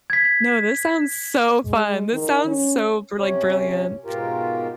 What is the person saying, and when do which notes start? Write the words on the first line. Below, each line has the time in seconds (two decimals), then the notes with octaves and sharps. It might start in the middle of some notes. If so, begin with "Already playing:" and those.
No, this sounds so fun. This sounds so brilli brilliant.
0.10 G#6 B6
1.65 G#3
2.13 D#3
2.47 C#4
3.17 C3 C#4
4.05 G#2 B2 F4 G4 A#4